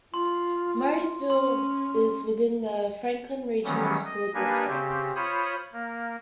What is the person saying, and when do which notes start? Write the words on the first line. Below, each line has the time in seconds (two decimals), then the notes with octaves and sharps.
Murrysville is within the Franklin Regional School District.
0.14 F4 C6
1.30 C#4 C6
3.64 D#3 E3 F#3 G3 B3 C#4
4.05 D#5
4.34 A#3 D4 D#4 G4 B4 G#5
4.68 C#3 C4 G4
5.16 F4 C5 C#5 B5 D#6
5.73 A#3